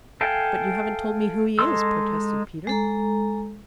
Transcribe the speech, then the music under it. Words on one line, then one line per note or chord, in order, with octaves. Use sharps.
"But you haven't told me who he is," protested Peter.
A4 E5 F5 G5 G#5
G#3 D#4 A4 C6 E6
G#3 A4 A#5